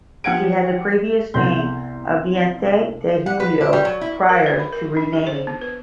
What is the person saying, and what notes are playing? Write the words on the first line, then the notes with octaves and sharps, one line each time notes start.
She had the previous name of Veinte de Julio prior to renaming.
F3 G4 F#5 G#6 D7
C2 B3 A4 C6 G6
F#5
B4
D4
G3
F#3
E4
A#4
B4
B5
A#4
D4
G4
C5
B3
B4